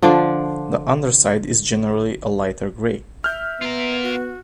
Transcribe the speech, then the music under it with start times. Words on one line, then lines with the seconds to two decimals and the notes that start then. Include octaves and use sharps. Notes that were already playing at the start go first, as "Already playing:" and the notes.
The underside is generally a lighter gray.
0.02 D3 F3 D4 D5
3.24 E5 F6 G6
3.61 B3 F4 A#4
4.03 F#4